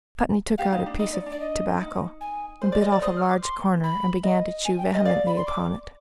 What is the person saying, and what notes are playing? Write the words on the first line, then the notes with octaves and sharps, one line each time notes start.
Putney took out a piece of tobacco, and bit off a large corner, and began to chew vehemently upon it.
G4 F5
D#4
D4
D#4 D#5
D#4 D5
D4
D5
D#5
D#4
G#5
C5
D5
D#5
D5
C5 D#6
F6
D6
C6
B5
D#5
G#5
G5
D#5
D5 F5
B5
C6
D6